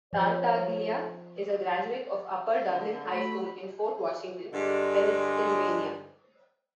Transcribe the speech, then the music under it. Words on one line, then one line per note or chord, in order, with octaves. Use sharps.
Tartaglia is a graduate of Upper Dublin High School in Fort Washington, Pennsylvania.
F3 C#5
D3
A3 B5
G2 D3 G#3